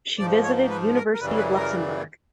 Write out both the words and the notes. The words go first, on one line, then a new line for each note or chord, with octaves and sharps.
She visited University of Luxembourg.
G#2 F3 D5
C#5
B4
A#4
A#4
F#2 C#3 E3 G3 B4
B4
A#4